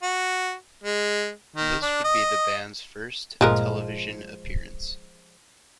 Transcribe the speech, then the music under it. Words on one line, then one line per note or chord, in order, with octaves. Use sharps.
This would be the band's first television appearance.
F#4
G#3
D#3
D4
D#5
G1 A#2 F3 G#3 A#4